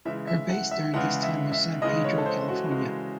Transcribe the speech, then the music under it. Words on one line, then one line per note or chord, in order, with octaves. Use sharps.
Her base during this time was San Pedro, California.
C#3 E3 G#3 E5
E5
F#5
E5
C#3 E3 G#3 F#5
E5
E5
C#3 E3 G#3 D#5
C#5
A4
C5
F#4
C#3 E3 G#3